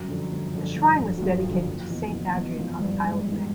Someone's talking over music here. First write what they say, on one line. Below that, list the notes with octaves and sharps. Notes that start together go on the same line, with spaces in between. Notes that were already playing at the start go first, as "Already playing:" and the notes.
A shrine was dedicated to Saint Adrian on the Isle of May.
Already playing: G1 F#2 F#3
F2 D3
G1
F2 D3
G1
F2 D3
F#3
G1 F3
F2 D3
F#1
E2 B2
F#1
E2 B2
F#1 F3
E2 G2 B2 G3
F#1 G#2 G#3
E2 B2